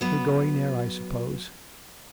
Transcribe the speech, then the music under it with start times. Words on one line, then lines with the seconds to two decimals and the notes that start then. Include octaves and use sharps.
You're going there I suppose.'
0.01 F#3 B3